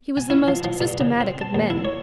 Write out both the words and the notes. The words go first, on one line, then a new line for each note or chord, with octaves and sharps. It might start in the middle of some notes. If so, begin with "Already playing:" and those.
He was the most systematic of men.
G#5
E4
F3
F3
G2
C#3
C4
A5
D#2
E4
C#5